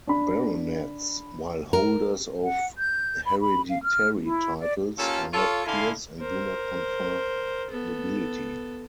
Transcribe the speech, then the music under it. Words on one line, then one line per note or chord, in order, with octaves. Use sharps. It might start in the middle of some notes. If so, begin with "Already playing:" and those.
Baronets, while holders of hereditary titles, are not peers and do not confer nobility.
D4 B5
A#4
F#5
G6
B5
B5
F5
F6
E4
D5
A#3 C#4 F4 G4 A4
F4 A4 C#5
D3 E4 A4 F5 G#5 C6
A#4 C5
B3 A4